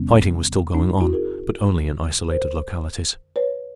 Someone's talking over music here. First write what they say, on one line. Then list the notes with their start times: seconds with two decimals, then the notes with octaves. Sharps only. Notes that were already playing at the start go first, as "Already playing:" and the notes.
Fighting was still going on, but only in isolated localities.
Already playing: E2 C3 D#3 G3 B3 C#4
0.74 C#4 D#4
1.00 E4 F#4
1.13 G#4 A#4
1.79 F2 D3 F#3
2.31 A#4 C5
3.36 B4 C#5